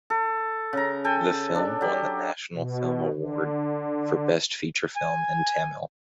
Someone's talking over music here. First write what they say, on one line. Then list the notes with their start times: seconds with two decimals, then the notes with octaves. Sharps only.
The film won the National Film Award for Best Feature Film in Tamil.
0.10 A4
0.73 C#3 A#5
1.04 A4 G5 G#5
1.55 D4
1.81 F#3 G4
2.53 B2
3.13 D3
4.96 G#5